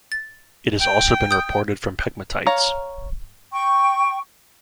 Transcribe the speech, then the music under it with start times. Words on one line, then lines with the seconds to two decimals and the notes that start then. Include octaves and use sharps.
It has also been reported from pegmatites.
0.12 A6
0.80 G5
1.31 D#6 G6
2.47 C#5 F5 A#5
3.52 G5 C#6